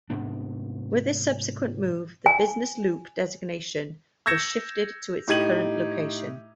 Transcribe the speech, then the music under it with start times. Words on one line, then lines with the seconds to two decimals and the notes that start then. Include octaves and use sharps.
With this subsequent move, the business loop designation was shifted to its current location.
0.10 G#2 C3 B3 D4
2.26 G#5
4.26 E6 G6 G#6 A#6 C#7 E7
5.28 A2 D#4 G4 G#6 D#7 F#7